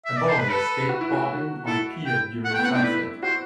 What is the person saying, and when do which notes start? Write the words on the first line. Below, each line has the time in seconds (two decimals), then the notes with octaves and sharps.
A boy skateboarding on a pier during sunset.
0.05 E5
0.17 D5
0.28 C5
0.39 B4
0.50 A4 B4
0.89 F#4
1.01 E4
1.13 F#4
1.66 E4 A4
2.06 G5
2.45 F#5
2.50 A3
2.54 G5
2.59 B3
2.64 F#5
2.67 C4
2.74 D4 G5
2.84 E4 B4
3.23 F#4 C5